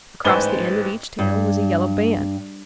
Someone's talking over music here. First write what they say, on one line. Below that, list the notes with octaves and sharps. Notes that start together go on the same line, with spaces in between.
Across the end of each tail was a yellow band.
A1 G#2 B4 C5 G#5 G7
G2